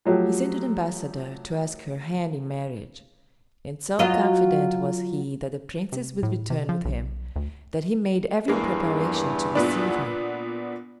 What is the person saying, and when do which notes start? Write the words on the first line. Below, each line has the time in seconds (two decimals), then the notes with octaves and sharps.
He sent an ambassador to ask her hand in marriage; and so confident was he that the Princess would return with him, that he made every preparation to receive her.
0.05 F3 F#3 A3 G4
3.99 F#3 F4 D#5
5.92 C3
6.23 A2
6.50 C3
6.69 F3
6.85 B1
7.36 D2
8.48 E2 G2 E3 G#3 A#3
9.55 A#2 B3 D4